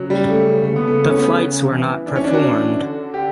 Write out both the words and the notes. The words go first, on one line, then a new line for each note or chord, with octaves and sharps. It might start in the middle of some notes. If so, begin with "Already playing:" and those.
The flights were not performed.
Already playing: C#3 F#3
G3
A3
C#3 A3
D3 B3
C#3 A3
A3
C#4
B3
E3
D4
C#4
D4
F#4
D3
G4